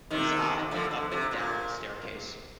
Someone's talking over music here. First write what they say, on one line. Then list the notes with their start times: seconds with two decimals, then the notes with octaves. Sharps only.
His eye went up and down the staircase.
0.11 C3 D#3
0.71 D3 F3
0.91 D3
1.12 C3
1.31 A#2